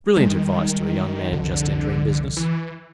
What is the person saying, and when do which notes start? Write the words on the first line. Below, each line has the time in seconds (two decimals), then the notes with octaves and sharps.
Brilliant advice to a young man just entering business!
0.17 D#3 G3 G#3
1.32 C2 F2 D3
2.37 E3